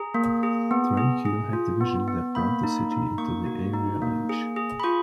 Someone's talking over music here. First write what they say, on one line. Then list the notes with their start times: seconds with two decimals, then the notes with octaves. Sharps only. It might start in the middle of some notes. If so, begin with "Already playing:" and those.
Thrailkill had the vision that brought the city into the aerial age.
Already playing: G#4 A#5
0.14 A#3
0.43 G#4
0.71 B3
0.97 G#4
1.25 G#4
1.53 F4
1.81 B3
2.08 B3
2.35 A#3 B5
2.64 D#4
2.92 D#4
3.18 A#3 C#6
3.46 F#4
3.73 D#4
4.02 A#3
4.29 G#4
4.56 G#4
4.80 B5
4.83 F4 C#6